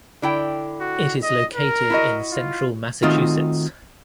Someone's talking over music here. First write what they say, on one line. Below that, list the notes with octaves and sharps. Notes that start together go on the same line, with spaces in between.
It is located in Central Massachusetts.
D3 E4 G5
F#4
D#5
A#4
E4 F#4 D#5
F4
D#3 A3 C4 D#4 F4 F#4